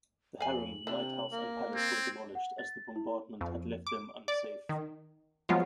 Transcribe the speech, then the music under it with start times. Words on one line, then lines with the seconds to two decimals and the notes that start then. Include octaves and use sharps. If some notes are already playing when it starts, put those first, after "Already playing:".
The harem, lighthouse and palace were demolished as the bombardment had left them unsafe.
0.40 F2 F5 G#5 F#7
0.87 C3 E3 D4 G4
1.32 A#3
1.75 C4 G#6
2.35 F#5
2.58 A6
2.96 E4
3.41 F2
3.87 D6
4.28 D5
4.69 D#3
5.49 F3 F#3 G#3 B3 F4